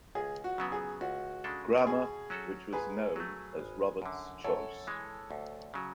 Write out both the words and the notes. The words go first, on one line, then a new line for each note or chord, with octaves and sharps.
Grammar, which was known as Robert's Choice.
C#2 G#4
F#4
C#3 F#3 B3
G#4
C#2 F#4
C#3 G#3 D4 A4
B2 G#4
F#3 C#4 F#4 A4
G#2 G#4 B4
F#3 A3
G#1
F#2 D3
F#2 A4 C#5
E3 G#3
D2
C#3 F#3